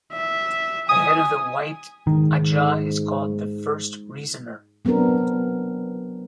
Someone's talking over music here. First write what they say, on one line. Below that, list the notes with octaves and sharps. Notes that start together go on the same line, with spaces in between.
The head of the White Ajah is called the First Reasoner.
E5
G#5 D#6
G#2 D#3
F#3 B3 C4 D4 A#4